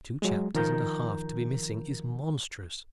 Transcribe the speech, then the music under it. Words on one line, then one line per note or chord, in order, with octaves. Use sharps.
Two chapters and a half to be missing is monstrous!
F#3 G#3
D#3 F3 A#4 A#5 G6